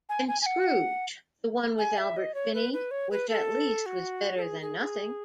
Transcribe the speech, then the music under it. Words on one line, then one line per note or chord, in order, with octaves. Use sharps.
And Scrooge, the one with Albert Finney, which at least was better than nothing.
G#5
G#5
G#5
F#5
G#5
E5
D#5
C#5
B4
B4
C#5
B4
A4
F#4
A4
G#4
G#4
G#4